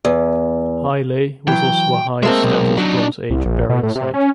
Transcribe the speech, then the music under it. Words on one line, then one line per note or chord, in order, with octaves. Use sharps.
High Legh was also a high-status Bronze Age burial site.
E2
E3 F#3 G5
G#3 A#3 C4 A4 E5
B1
F#3 D4 D#4
C2
A#1
B2
A2
C3
C#4